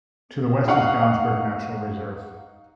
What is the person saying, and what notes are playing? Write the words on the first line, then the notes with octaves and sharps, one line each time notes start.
To the west is Gamsberg Nature Reserve.
D#4 F5 F#5 C#6